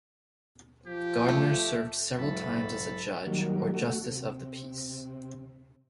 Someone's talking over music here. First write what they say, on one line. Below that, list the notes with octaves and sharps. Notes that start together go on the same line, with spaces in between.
Gardner served several times as a judge, or justice of the peace.
F3 G4
A3
F#1 B1 G#2 E4 A4 B5
D#3 F#3 G3 A#3
A3 F#4
C3